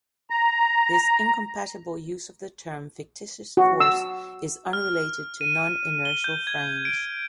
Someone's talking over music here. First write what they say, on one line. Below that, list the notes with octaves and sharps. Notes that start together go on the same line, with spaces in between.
This incompatible use of the term "fictitious force" is unrelated to non-inertial frames.
A#5
F#4
E6
F6
D#7
G7
G6
G#6
D7